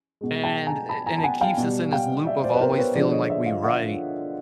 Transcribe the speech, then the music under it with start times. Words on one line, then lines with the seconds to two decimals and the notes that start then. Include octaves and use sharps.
And and it keeps us in this loop of always feeling like we right
0.21 B2 G#3
0.44 G5 A5
0.67 G#5 A#5
0.89 A5 B5
1.06 G#5 A#5
1.18 A5
1.23 F#5 G#5
1.41 F5 G5
1.58 B2
1.63 G3
1.93 F5 G5
2.26 D5 E5
2.44 C5 D5
2.54 B4
2.61 A#4 C5
2.71 C5
2.78 B4 C#5
2.95 D3 F3 G#3 C5 D5
3.12 C#5 D#5
3.30 D5 E5
3.46 D#5 F5
3.63 E5 F#5